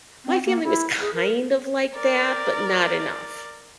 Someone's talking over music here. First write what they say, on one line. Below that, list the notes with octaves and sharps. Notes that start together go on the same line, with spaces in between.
My family was kind of like that, but not enough.
C4
A#3
E4
G#4
A#4
A#4 D5